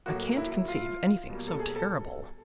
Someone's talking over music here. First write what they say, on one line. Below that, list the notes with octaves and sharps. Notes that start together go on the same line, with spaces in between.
I can't conceive anything so terrible.
A2 F#3 A#3 F#4
E4
F4
B2 G3 A#3
A4
G#4
A4